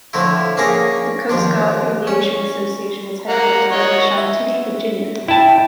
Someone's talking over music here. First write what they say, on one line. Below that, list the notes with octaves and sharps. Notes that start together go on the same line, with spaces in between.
The Coast Guard Aviation Association is headquartered in Chantilly, Virginia.
A2 D3 F3 A3 E4
A#3 C#4 D4 G#4 A#5
D#2 F3 D4
C#4
A#3 F#5 A#5
C#5 D#5 F#5
E5
E4 G5 A5